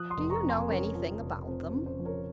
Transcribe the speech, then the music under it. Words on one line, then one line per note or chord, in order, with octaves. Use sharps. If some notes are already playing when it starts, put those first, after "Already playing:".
Do you know anything about them?'
Already playing: F3 D#6 F#6
C6 D#6
F1
A#5 C#6
F2
G#5 C6
C#3 A#4 C#5
F3
F1
F2 C5
C5
C#3
C5
F3
A#4 C#5